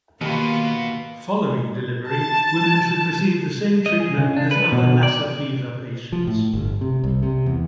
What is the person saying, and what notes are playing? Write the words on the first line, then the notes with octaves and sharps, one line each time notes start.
Following delivery, women should receive the same treatment as other Lassa fever patients.
D#2 B2 A#3 F4 B5
A5
D#5
G#4
C#3
D4
B4
B2
D5
F3
A2
G1
C3
C2
C3
E2